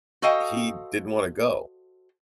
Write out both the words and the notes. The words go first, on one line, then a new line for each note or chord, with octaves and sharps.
he didn't wanna go.
F#4 A4 C5 D#5 F5 G5